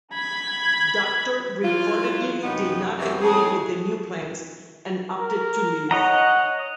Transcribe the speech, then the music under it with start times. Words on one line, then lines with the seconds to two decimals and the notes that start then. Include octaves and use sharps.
Doctor reportedly did not agree with the new plans, and opted to leave.
0.14 B5 G#6
1.64 E3 F#3 F4
2.43 F#2 C3 B3 D#4 G4
2.99 F#2 C3 E3 B3 C4
3.22 F2 A2 G#4
5.20 A#4
5.91 C#5 D#5 F#5 A#5